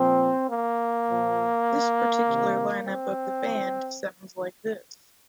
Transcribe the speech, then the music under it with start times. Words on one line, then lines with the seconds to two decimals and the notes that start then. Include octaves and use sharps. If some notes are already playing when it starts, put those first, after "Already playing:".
This particular lineup of the band sounded like this.
Already playing: A#2 F3 C4
0.49 A#3
1.08 A#2 F3
2.26 C3 D#3
2.85 C4